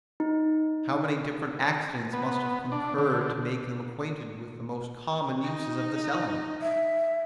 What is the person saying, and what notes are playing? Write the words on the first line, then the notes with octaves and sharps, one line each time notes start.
How many different accidents must have concurred to make them acquainted with the most common uses of this element?
D#4
B3
D4
D3
D#4
E5